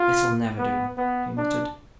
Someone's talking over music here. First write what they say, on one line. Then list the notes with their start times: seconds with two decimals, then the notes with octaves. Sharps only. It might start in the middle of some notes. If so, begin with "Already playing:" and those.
"This'll never do," he muttered.
Already playing: F4
0.58 B3
0.98 B3
1.37 D4